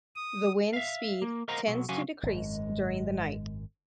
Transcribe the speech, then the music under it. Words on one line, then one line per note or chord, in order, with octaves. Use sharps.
The wind speed tends to decrease during the night.
D#6
E5 F5
A#3
A#4 C5 D#5 F5 F#5 A#5
B1 F#3
C#3 F#3 F#4 F5 F#5 G#5
G#1 F#2 G#3